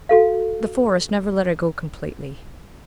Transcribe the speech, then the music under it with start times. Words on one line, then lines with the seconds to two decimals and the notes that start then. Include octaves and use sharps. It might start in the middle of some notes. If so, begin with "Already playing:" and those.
The Forest never let her go completely.
0.09 F#4 A4 F5